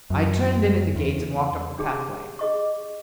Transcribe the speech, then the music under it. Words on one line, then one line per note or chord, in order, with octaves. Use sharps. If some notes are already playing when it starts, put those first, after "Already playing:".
I turned in at the gate, and walked up the pathway.
F#2
E2
D4 G4 G#4
G#4 D#5 C#6